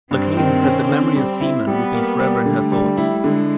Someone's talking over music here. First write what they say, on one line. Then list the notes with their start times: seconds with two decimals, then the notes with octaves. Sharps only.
Locane said the memory of Seeman will be forever in her thoughts.
0.11 G2 C4
0.37 D#3
0.63 C#4
0.89 D3
1.16 G3
1.41 E4
1.67 G3 B3
1.94 A#3
2.19 G3
2.45 D3 A3
2.72 G3
2.97 E4
3.23 D3 G#3